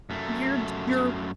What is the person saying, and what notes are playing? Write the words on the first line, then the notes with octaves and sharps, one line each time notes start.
you're you're
F#2 A3